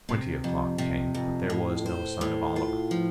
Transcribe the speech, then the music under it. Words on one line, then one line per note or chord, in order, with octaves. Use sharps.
Twenty o'clock came, but there was no sign of Oliver.
C3
F2
C3
F2
A2
C5
A2
F4
F3